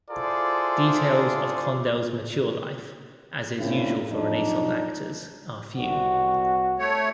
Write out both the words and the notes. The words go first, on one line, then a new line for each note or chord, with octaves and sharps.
Details of Condell's mature life, as is usual for Renaissance actors, are few.
E4 F4 G#4 A4 C5 D5
C#3 A#3 C4 D4 E4
F2 F#3 D4 D#4
C2 F#4
A3 C#5